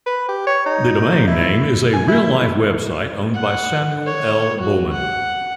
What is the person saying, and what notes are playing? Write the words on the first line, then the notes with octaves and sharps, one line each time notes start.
The domain name is a real-life website owned by Samuel L. Bowman.
B4
G4
C#5
D#4
E4
G#5
E4
F#5
C#5
F#4
F#5